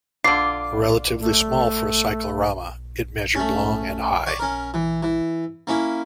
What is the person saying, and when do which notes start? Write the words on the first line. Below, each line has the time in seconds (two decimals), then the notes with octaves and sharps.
Relatively small for a Cyclorama, it measured long and high.
0.24 D3 F4 D6 C7
1.20 A3
3.35 A3 C#4
4.26 C#5 D5
4.39 C#4 A#4
4.74 E3
5.03 E3
5.67 A#3 C#4 E4